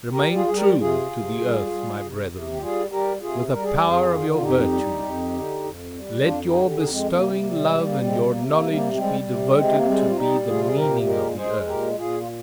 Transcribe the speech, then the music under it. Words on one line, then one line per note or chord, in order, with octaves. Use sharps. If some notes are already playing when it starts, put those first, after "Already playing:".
Remain true to the earth, my brethren, with the power of your virtue! Let your bestowing love and your knowledge be devoted to be the meaning of the earth!
G4 A#4
G3
F4 G#4
G3 G#4
G4 A#4
C3 F4 G#4
C3
G3
G3
C3
C3
G4
G3 F4 G#4
G3 G4 A#4
C3 F4 G#4
G3 A#4
G#4
G4
F2 F4 G#4
D3
F4
F2 D#4 G4
G3
F2
D3
F2
G3
F2 D4 F4
D#4 G4
D3
G4
G#4
F2 D#4 G4
G#3 C4
C3 A#3
C4
A#3
G3
G#3
G3 C4
A#3
C3 G#3 C4
A#3
C3
A#3
G3
A#3
G3 G#3 C4
C3
A#3
C3 G#3 C4
A#3
G3 G#3 C4
F4
G3 D#4 G4
C3 F4 G#4
G#4
A#2 G4 A#4
G#3 G4 A#4
G#3 G#4 C5
A#2 G4 A#4
A#2 F4 G#4
F4